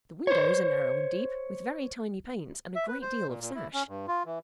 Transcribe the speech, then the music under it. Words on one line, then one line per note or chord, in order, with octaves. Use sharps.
The windows are narrow and deep, with very tiny panes and a great deal of sash.
C5 C#5
E5
B4
C5
A#2
A#2
E4
C#4
G2
F4
E3